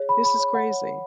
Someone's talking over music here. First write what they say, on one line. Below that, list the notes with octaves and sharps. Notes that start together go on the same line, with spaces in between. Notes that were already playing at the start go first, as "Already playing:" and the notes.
This is crazy.
Already playing: G#4 C#5
B5
B5
C#5
F#5
C#5
C#5